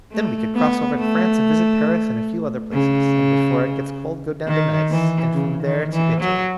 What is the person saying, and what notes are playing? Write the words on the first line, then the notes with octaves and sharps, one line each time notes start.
Then we could cross over to France and visit Paris and a few other places; and before it gets cold go down to Nice, and from there to Italy.
A3
B3
A3
C#3
D#3
E3
C#3
D#3
E3
F#3